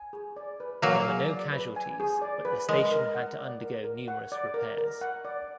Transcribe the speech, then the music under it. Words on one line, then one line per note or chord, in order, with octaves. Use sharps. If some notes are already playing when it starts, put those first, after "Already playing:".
There were no casualties, but the station had to undergo numerous repairs.
Already playing: G#5
G#4
D5
B4
F#3 A#3 G#5
G#4
D5
B4
G#5
G#4
D5
B4
G#3 A#4
A#4
F#5
D5
A#4
A#4
F#5
D5
A#4
A#4
F#5
D5